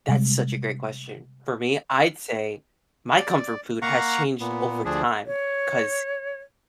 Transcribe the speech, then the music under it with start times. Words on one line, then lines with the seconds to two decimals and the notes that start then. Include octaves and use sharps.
that's such a great question. For me, I'd say my comfort food has changed over time 'cause
0.08 C3 G3 G#3
3.17 D5
3.82 A#3 F5 F#5 A#5 C#6
4.40 A#2 B3
4.85 D2 F3 D4 G#4
5.26 C#5